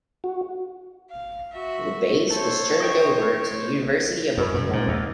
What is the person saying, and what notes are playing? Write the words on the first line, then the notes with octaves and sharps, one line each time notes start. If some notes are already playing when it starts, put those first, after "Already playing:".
The base was turned over to the University of Oklahoma.
F#4
F5
F#4 E5
A4 C5 C#5
D#5 G5 C#6
F#2
F#2
A#2
D#2